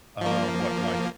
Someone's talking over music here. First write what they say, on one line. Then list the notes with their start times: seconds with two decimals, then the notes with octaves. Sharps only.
uh, what, like,
0.21 F3 A#3